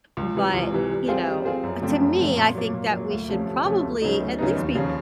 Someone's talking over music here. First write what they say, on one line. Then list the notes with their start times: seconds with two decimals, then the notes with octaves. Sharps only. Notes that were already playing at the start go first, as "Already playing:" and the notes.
but, you know, uh, to me, I think that we should probably at least be
0.17 C#2
0.35 C3 E3
0.53 C#2
0.71 C3 E3
0.90 G3
1.08 C4 F4 G#4 C5
1.27 G3
1.45 C4 F4 G#4 C5
1.63 F#2
1.82 C#3 F3 A3 C4
2.00 F#2
2.18 C#3 F3 A3 C4
2.37 A#2
2.55 F#3 A#3
2.73 A#2
2.91 F#3 A#3
3.10 D2
3.28 C3 F3 A3 C#4
3.46 D2
3.65 C3 F3 A3 C#4
3.83 D2
4.02 C#3 F#3 B3 D#4
4.20 D2
4.39 C#3 F#3 B3 D#4
4.56 D#2
4.75 C#3 F3